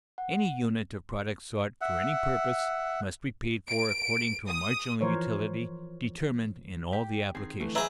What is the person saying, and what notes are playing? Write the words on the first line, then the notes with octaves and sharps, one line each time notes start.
Any unit of product sought for any purpose must be paid for according to a marginal utility determined in all the applications.
F#5
E5 F#5
D7
D#6
E3 F3 A#4 C5 C#5
G4
D#3 C4 G#4
F2 D3 E3 A3
F#3 G#4 B4 E5 A#5 E6 G6 G#6